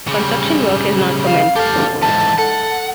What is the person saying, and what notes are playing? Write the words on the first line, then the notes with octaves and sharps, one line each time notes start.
Construction work has not commenced.
C#3 G3
F5
G4 A4 F5
G#2 E3 A5
A4 F#5